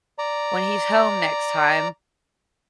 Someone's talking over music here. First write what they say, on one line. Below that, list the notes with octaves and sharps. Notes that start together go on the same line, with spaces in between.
when he's home next time.
D5 A#5